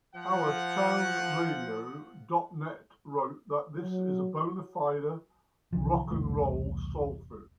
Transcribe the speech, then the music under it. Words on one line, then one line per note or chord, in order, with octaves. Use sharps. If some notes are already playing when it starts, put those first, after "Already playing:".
OurTownRadio dot net wrote that This is bona-fide rock n' roll soul food.
F3 F#5
F#3
C2 D3 F3
E1 C2 A2 A3